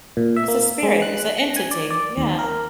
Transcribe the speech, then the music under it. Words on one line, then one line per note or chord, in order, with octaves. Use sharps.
It's a spirit. It's a entity. Yeah.
A#2
E5
A#3
G#3
F#6
A#6
G#5
D5
D5
D#2
A#4